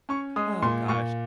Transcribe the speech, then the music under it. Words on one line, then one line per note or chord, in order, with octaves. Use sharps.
Oh, gosh.
C#4 C#6
G#3 D#6
A#2 C6
A#2 C#6